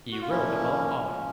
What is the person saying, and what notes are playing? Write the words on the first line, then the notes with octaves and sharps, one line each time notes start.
He wrote about art.
F#4
F4
A#2 F3 A#3 C#4 E4
C#3 F3 G#3 C#4